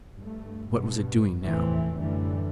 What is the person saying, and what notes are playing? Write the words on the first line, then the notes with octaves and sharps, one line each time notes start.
What was it doing now?
G2 A3
G2 B2
F1 E2 A2 E3 A3 C4
F#2 A2 D3 E3 G3 A3